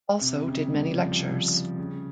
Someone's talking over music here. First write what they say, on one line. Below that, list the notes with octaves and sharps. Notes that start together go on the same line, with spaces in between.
Also did many lectures.
C3
C#3
G3
F3
C#3